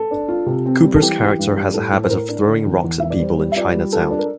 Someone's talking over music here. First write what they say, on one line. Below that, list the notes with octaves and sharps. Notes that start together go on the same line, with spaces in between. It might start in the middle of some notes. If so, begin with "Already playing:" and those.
Cooper's character has a habit of throwing rocks at people in Chinatown.
Already playing: A4
D4
F4
C3
C4
G3
A4
E3 G4
E3
G2
G3
A2 A4
A2
C5
A2 A#4
D4
D3
E2
E2
E2 E5
D5
G3 C5
G3
E5
F4 D5
G3
F4 A4
D4
A#4